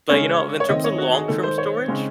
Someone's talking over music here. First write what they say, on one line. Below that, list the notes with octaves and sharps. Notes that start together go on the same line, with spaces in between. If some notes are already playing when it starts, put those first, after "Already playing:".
But, you know, in terms of long-term storage,
C#3 G#3 C#4 C#5
C#5
D#3 A3 C4 D#5
C#5
F#4
G#4
D#3 G#3 D#4 A4
C5
C#5
C#3 G#3 C4 D#4